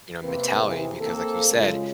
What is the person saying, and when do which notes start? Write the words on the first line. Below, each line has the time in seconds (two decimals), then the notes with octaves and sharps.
you know, mentality because like you said,
0.23 C3 A#3 C4 B4
0.63 C3 E3 G#4
1.00 A#3 C4 A4
1.51 F#2 C#3 G#3 F4